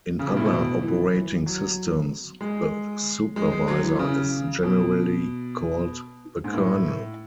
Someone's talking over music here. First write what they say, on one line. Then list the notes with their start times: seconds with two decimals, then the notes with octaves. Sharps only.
In other operating systems, the supervisor is generally called the kernel.
0.19 C#3
0.28 B2
0.37 A2
0.46 B2
0.82 E3
1.46 F#3
2.41 G#3
3.36 G#3
3.52 G#3
3.68 F#3
3.84 E3
3.99 C#3
4.63 B2
6.44 G#2
6.54 A2